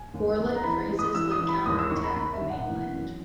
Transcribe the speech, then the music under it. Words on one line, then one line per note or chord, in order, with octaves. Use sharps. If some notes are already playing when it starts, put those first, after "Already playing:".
Warlike phrases like Counterattack the mainland!
Already playing: G#5
D#2
D#2
A#5
E3 B5
G#3
D#6
E3 E6
D#6
E3
B5
D#2 D#6
E6
D#3 C#6
B5
D#2 B5
E5
D#3
F#5
E3
F#2